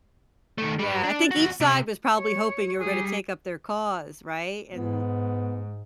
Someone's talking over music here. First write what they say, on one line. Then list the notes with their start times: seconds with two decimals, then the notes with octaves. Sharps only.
yeah, I think each side was probably hoping you were gonna take up their cause, right? And
0.58 D#3 A3
0.79 G3 B4
1.04 D4
1.31 E2 F#4
1.60 C3
2.16 C#5
2.80 G3 G#4
4.74 G#2 B3